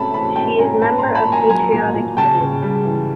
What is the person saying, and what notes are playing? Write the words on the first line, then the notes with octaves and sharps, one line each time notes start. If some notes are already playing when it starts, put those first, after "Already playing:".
She is member of Patriotic Union.
Already playing: C3 A3 C#4 A5 B5
E3 A5 B5
C3 G5 A5
C#4 G#5 A#5
A#2 A5 B5
A#5 C6
A#2
A5 B5
A#3
G#5 A#5
F#3 G#5 A#5
A#2
A#2
C#3 G5 A5
C#3
G3
E3